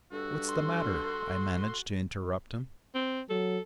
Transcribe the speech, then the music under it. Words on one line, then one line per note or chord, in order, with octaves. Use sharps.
"What's the matter?" I managed to interrupt him.
G2 F#4 A4
C6
C4
F#3 A4